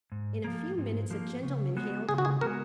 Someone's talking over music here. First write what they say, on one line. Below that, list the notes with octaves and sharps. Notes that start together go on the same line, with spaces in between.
In a few minutes a gentleman hailed him.
G#2
F3 A#3
G#2
F3 A#3
C#3
G#3 B3 F#4
C#3 G#4
F#4
G#4
G#3 B3 F#4 A#4